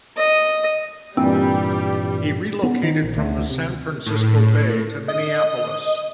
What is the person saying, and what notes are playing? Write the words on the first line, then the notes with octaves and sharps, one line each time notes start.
He relocated from the San Francisco Bay to Minneapolis.
D#5
G2 A#2 E3 G3 C4
B3
D#3
A#1
D2
C3
A2
D#5